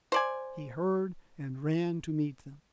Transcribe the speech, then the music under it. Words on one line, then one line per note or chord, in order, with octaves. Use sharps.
He heard, and ran to meet them.
C5 D5 G#5